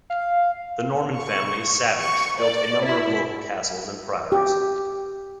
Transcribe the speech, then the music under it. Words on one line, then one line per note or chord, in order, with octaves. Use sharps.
The Norman family Savage built a number of local castles and priories.
F5
C#6
C#6
D5
E4
G4